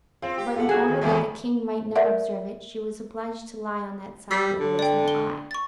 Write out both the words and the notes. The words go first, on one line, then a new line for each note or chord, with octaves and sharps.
But in order that the king might not observe it, she was obliged to lie on that side where there was no eye.
C4 F4
G4
F4 A4 F#5
F#4 G#4
D#3
D#2 G#2 C#3 G#3 A3
A#4 D5 E5 F#5
G3 E6 B6
D3
D5 G5
G7
C#6 A6